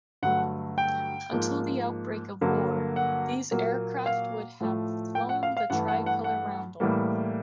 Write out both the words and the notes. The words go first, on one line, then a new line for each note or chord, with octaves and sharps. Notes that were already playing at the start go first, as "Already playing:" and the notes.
Until the outbreak of war, these aircraft would have flown the tri-color roundel.
G2 D3 F#3 A3 F#5
G5
G#2 F3 A#3
G2 D3 F#3 A#3
F#5
A#2 F#3 A#3
F5
A2 F3 A3
G5
F#5
F5
F5
G2 E3 A3 F#5
F#5
F#5
F#5
A2 E3 G3 A#3